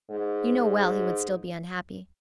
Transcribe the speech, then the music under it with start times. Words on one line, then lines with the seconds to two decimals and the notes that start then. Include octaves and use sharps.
You know well he would still be unhappy.
0.11 G#2